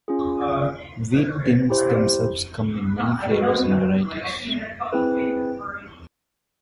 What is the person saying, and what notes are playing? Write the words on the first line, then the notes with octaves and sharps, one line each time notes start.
Wheat Thins themselves come in many flavors and varieties.
C#4 F4 G#4
E4 G4 C5
F#4 B4 D#5
C4 E4 G#4 B4